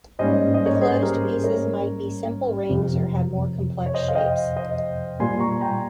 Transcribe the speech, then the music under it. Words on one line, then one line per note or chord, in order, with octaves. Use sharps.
The closed pieces might be simple rings or have more complex shapes.
G#2 G3 A#3 C#4 C5 D#5
D#5
A#4 C#5
G#4 C5
G4 A#4
G#4
A#4 C#5
F2 C3 F3
C#5
C5 D#5
F5
D#5 G5
C5 D#5
A#2 G3 A#3 G#5 C6
A#5 C#6
G5 A#5